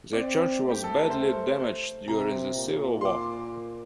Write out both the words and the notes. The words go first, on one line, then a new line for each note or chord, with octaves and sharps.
The church was badly damaged during the Civil War.
C4 D5
A3
G4
A4
A#4
C5
C3 A#5
A#2
C6
D6